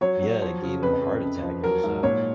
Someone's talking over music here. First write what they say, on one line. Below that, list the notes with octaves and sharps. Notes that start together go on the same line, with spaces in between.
yeah, it gave him a heart attack, it was, uh
F#3 C#5
F#3
F3
C#3
F2 B4
F2
F#2
F3
F#3 A#4
G#2
A#2 C#5